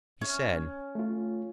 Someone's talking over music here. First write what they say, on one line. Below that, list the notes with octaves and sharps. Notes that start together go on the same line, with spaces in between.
He said...
C#4
A3 F4